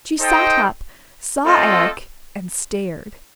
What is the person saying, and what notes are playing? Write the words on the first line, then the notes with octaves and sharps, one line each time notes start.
She sat up, saw Eric and stared.
D#4 A4 C5 D#5 G5
A3 C4 F4 A4 D#5